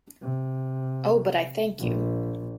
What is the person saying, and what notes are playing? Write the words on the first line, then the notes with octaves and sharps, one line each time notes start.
Oh, but I thank you!
C3
A#1